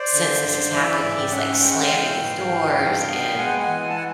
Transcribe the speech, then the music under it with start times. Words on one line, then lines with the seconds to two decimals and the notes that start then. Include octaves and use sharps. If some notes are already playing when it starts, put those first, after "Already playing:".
since this has happened, he's, like, slamming his doors and
Already playing: C5 D5
0.13 D3
0.42 G2
0.72 E3 D5 E5
1.01 G#2 D5 E5
1.20 G5
1.31 C#4 E5 F#5
1.60 G#3 G5
1.71 F#5
1.81 F5 G5
1.90 E3
2.19 G#2
2.49 E3
2.78 G2
3.07 B3
3.37 G#3 F#5 G#5
3.59 F#5 G#5
3.67 E3
3.82 G#5
3.90 A5
3.96 F#5 G#5